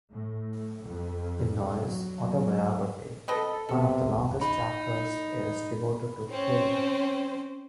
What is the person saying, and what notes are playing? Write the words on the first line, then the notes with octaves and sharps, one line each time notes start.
In Noyes' autobiography, one of the longest chapters is devoted to Pain.
A2
F2
F#3
C4 A4 B4 D#5
C3 B3 A4
D#4 B5
C4 C#4 C5